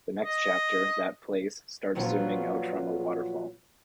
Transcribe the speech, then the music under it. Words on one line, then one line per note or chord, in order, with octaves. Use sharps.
The next chapter, "That Place", starts zooming out from a waterfall.
D#5
A#2 F3 F#3 B3 C#4 F4